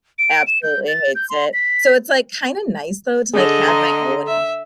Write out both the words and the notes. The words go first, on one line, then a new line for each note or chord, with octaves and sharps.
absolutely hates it, so it's, like, kinda nice though, to, like, have my own
D7
E7
G6
A6
G6
C6
B6
D3 G#4 D#5
A#5 C6
E5